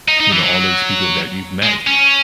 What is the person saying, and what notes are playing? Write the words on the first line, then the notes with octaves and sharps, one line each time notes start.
you know, all these people that you've met,
D#4
D#4
E3
F#3
G#3
C#4